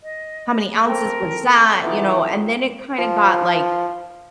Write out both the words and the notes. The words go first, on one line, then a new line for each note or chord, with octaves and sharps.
How many ounces was that?" You know, and then it kinda got, like
D#5
C4 A4 A#4
E3 D#4 F4 F#5 D6
F3